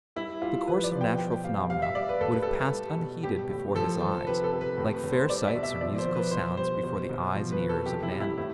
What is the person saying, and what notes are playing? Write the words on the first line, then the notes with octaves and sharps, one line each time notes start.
The course of natural phenomena would have passed unheeded before his eyes, like fair sights or musical sounds before the eyes and ears of an animal.
G3 E4
G3 F4
F3 B4
D5
F3
G5
B2 G5
G3 F5
G3 F5
E5
G3 D5
B4
A2 A4
B4
G3 A4
G3
B2
G3 G4
A2
F3 A4
F3 C5
C3 B4
A4
C3
B4
A2
B4
A2
C5
G3 D5
E5
B2
E5
F3 D5
C5
F3
B4
B2 C5
G3 C5
B2 C5
B2
F3
B4
F3
A4
C3 G4
E4
G3
E4
A2 E4